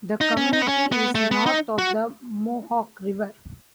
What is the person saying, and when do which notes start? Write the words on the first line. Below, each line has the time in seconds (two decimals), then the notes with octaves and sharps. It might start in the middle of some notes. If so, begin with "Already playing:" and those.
The community is north of the Mohawk River.
0.21 D#4
0.37 C#4
0.53 D#4
0.62 B3
0.68 C#4
0.92 B3
1.15 A3
1.31 B3
1.46 D#4
1.78 F#4